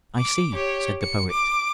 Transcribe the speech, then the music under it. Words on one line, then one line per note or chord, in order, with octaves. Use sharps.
"I see," said the Poet.
D6
G4 C#5
C#7
D6